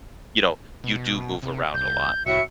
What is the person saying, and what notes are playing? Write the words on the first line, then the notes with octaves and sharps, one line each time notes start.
you know, you do move around a lot.
B2
C3
C2 G6
C2 A2 F#4 E5 C#7